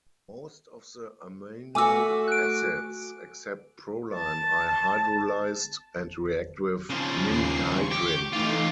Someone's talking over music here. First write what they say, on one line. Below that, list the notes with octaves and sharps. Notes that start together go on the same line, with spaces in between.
Most of the amino acids, except proline, are hydrolyzed and react with ninhydrin.
A3 F#4 G#5 D6 E6
F#6 D7
A5
C#3 F3
D#2 C7
C#6
G4
E3 A3 D#4 F4 G4